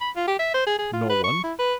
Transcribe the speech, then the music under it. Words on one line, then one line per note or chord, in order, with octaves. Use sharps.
"No one."
B5
F4
G4
E5
C5
G#4
G#4
F4
B4
C#6
E4
B4